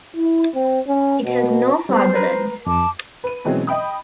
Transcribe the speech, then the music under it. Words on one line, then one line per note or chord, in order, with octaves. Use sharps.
It has no fatherland.
E4
C4
C#4
B2
G3 B3 C5
B4 A#5
F2 A5 D6
B4 D#7
B2 E3 F#3 G#3 C4 C#4
D#5 G5 B5 D#6